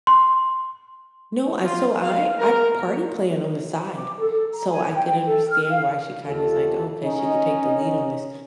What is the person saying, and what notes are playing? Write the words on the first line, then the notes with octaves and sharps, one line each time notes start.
No, I so, I I party plan on the side, so, I could understand why she kinda is like, "Okay, she could take the lead on this,"
C6
F4
F5
A#4
D6
A4
A4
A#5
G#5
G5
A4
F6
F5
D#2 F4 A4
C#4 D#4